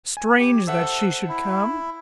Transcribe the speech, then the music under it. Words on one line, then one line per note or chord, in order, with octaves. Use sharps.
Strange that she should come!
G#5
G4
A4 C5 E5 F#5 E6
E4